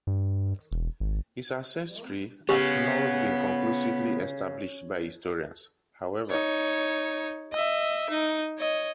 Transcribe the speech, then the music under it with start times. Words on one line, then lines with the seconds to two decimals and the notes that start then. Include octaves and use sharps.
His ancestry has not been conclusively established by historians, however.
0.07 G2
0.71 E1
1.00 G#1
2.49 C#3 B3 G4
6.30 D#4 C#5
7.53 D#5 E5
8.09 D#4
8.58 C#5 D#5